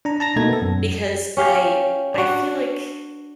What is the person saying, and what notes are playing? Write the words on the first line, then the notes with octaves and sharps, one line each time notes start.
Because I I feel like
D4 A#5
A5 A#5 A#6
B2 A3 A#3 D#4 G#6 A#6
B3 A4
F#2
C#4 G4 F5
D4 F#4